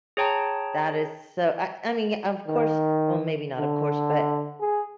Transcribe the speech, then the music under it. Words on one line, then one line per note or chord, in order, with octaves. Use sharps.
That is so I I mean, of course- well, maybe not of course- but,
G#4 C#5 G5 A5 A#5
D#3
D3
G#4